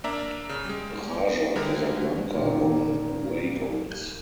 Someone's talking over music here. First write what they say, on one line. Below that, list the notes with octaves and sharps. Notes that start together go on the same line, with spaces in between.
Raja Casablanca won on away goals.
A#3 D4 D5 E5 A#5
C#3
G3 G#3
D3 G3 G#3 E4 A#4
A#2 D#3